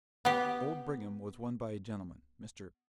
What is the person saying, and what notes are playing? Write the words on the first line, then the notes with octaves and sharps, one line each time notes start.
Old Brigham was won by a gentleman--Mr.
B3 G4